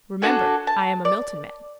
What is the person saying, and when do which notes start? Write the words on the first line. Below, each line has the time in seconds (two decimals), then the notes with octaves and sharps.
Remember I am a Milton man.
0.22 D4 F#4 A4 G#5
0.67 A5
1.05 D5